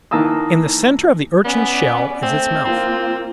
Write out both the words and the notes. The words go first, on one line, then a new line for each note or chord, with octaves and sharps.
In the centre of the Urchin's shell is its mouth.
D#3 E3 A#3 A5 D#6 E6
B3 C#4 D5
A3 C4
A#3 C4 F4